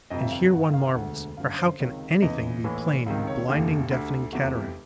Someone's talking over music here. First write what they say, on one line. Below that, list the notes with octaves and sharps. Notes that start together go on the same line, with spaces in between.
And here one marvels; for how can anything be plain in a blinding, deafening cataract?
G1 F2 C3 D#5
E5
F5
G1 G2 D#3 F#5
F5
E1 D2 D3 F#5
G1 F#2 D3 F5
C5
C#2 C3 D#3 C#5
F1 E2 C#3 E3 D#5
A#1 A2 E3
C#2 C3 D#3
C#5
F1 D#2 D3 G4
D2 D3
F1 E2 C3 F#4
G4